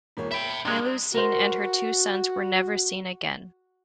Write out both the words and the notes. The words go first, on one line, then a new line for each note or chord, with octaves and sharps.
Melusine and her two sons were never seen again.
E1 A#3 C#5
E5 G5 B5
G2 C3 G#3
F#4 A#4 C5